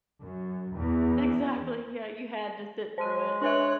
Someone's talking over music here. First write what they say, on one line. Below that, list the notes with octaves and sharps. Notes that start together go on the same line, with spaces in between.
Exactly, yeah, you had to sit through it.
F#2
E2
G#3 C5 D#7
D4 B4 C#5 E5 F#6